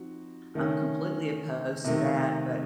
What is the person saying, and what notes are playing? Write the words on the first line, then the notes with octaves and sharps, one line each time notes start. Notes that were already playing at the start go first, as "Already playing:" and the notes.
I'm completely opposed to that, but
Already playing: F3 C4 D#4 F#4
D#3 A3 C#4
C3 D#3 A3